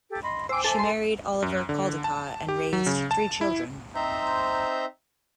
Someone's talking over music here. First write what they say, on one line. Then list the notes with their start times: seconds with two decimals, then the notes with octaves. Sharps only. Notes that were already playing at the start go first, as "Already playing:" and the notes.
She married Oliver Caldecott and raised three children.
0.08 G4 A4
0.22 D#5 B5 C6
0.49 C5 G5 G#5 D6 E6
0.64 A4 E5 G#5 A5
0.79 C6
1.42 F#2
1.69 D3
2.04 A5
2.48 G4
2.73 F#3
2.86 C#3
3.11 A5
3.41 E4
3.95 C4 D#4 C5 E5 A#5 G6